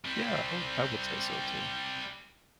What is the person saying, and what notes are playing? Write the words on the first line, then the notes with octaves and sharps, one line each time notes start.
Yeah. I would I would say so too.
G3 C4